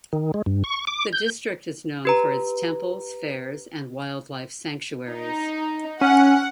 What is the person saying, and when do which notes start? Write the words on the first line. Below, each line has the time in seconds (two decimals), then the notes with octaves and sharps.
The district is known for its Temples, Fairs and Wildlife Sanctuaries.
0.13 D#3
0.34 G#3
0.46 G2
0.64 C#6
0.87 D6
1.13 G6
2.05 G4 B4 A#5
5.11 D#4
6.01 C#4 F#5